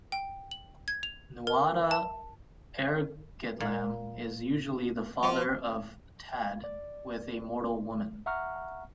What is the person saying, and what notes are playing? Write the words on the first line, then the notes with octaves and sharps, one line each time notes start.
Nuada Airgetlam is usually the father of Tadg with a mortal woman.
G5
F#7
G#6
F7
A#4
A5
A#2
F3 F4
D5
E5 F#5 A#5 C#6 F6